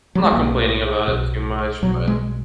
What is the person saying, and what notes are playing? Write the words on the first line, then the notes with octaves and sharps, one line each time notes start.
I'm not complaining about it too much, but,
F#3
G#3
B1 B2 A#3
B1 B2
B1 B2 F#3
G#3